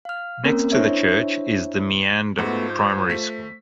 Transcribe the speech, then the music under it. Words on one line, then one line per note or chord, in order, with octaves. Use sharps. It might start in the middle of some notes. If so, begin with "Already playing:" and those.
Next to the church is the Meander Primary School.
F5 F6
A#3 C4 C#4 A#4
D4 E4 C5 C#5 E5
G#2 A3 B3 F4 F#4 C5
G6
A3 B6